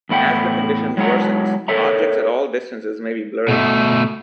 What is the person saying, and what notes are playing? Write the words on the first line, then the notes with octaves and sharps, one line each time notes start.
As the condition worsens, objects at all distances may be blurry.
E2 A2 E4 F#5 G5
F#3 G#3 E4 F#5 A#5
A4 A#4 C#5 E5 A#5
B2 A3